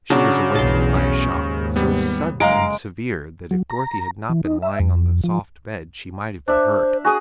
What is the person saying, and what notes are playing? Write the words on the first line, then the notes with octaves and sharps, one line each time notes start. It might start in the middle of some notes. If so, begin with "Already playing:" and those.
She was awakened by a shock, so sudden and severe that if Dorothy had not been lying on the soft bed she might have been hurt.
C#3 F#3 D4
B1 E2 A5 C6
C#4
D#2 G#2
G3 B3
F#1 G#3 F5 A#5 D7
F#3
A#5
E3
D#4
E5
F2
F3
D4 C5 E5
F#4 G#4 G#5 D#6